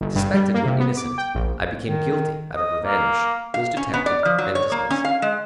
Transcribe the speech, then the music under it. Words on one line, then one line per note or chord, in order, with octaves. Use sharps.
Suspected when innocent, I became guilty out of revenge; was detected and dismissed.
G1
G2
G3
A#3
C3
B3
D6
G5
A#1
D#3
D#5
A#3
F5
C#4
B3
D5
F3
F#3
C#5
A#3
C#4
F5
G#3